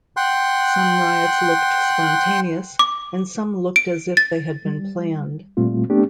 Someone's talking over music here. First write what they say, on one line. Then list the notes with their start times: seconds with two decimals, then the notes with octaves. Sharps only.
Some riots looked spontaneous and some looked as if they had been planned.
0.17 F#5 G5 C6 F#6
2.79 D6
3.76 D7
4.17 A6
4.65 G3
5.57 A#2 G3 A3 C4 F4
5.90 A3 B3 C4 D4 G4